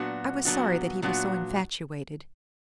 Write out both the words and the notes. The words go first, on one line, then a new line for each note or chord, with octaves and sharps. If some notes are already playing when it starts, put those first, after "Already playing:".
I was sorry that he was so infatuated.
Already playing: A#2 F#3 B3 D4 F#4
A#2 F#3 B3 D4 F#4
A#2 F#3 B3 D4 F#4